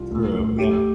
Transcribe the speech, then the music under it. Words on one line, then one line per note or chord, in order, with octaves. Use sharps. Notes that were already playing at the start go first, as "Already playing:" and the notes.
True, yeah.
Already playing: C2 F4
D2
D2
A3 G4